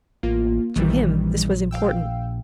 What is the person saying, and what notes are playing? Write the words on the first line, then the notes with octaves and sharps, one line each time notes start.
To him this was important.
A1 A#3 F4
A#1 D#3 E3 G3
F5 G5 E6